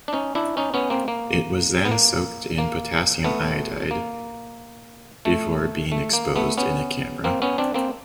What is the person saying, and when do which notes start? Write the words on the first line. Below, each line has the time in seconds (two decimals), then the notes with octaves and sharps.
It was then soaked in potassium iodide before being exposed in a camera.
0.08 D4
0.13 C#4 D#4
0.35 D4 E4
0.57 C#4 D#4
0.74 B3 C#4
0.90 A#3 C4
1.08 A#3
1.85 B3
1.92 A#3
2.58 A#3
3.24 A3 B3
3.91 A#3
5.25 A3
5.92 A3
6.13 A#3
6.36 A3 B3
6.58 B3 C#4
7.24 A#3 C4
7.42 B3 C#4
7.58 C4 D4
7.74 A#3 C4